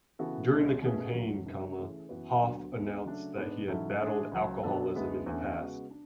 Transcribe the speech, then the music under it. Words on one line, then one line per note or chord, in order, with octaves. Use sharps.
During the campaign, Hoff announced that he had battled alcoholism in the past.
C#3 E3 B3 F#4 A4
C#2 B2 G#3 C#4 E4
B2 A3 C#4 G#4 B4
D2 D3 F#3
F#2 C#3 G#3 D4 F#4
E3 A3 C#4 G#4
F#2 E3 B3 F#4 B4
D2 D3 F#3 B3 F#4
D2 D3 G#3 B3
C#3 F#3 A3 D4
G#2 G#3 B3 D4
G#2 F#3 C#4 E4 A4
A2 G#3 D4 G#4
C#2 C#3 F#3
B2 F#3 B3 D4 A4
D2 D3 G#3 B3 E4
E2 D3 A3 C#4
C#3 G#3 B3 F#4
D4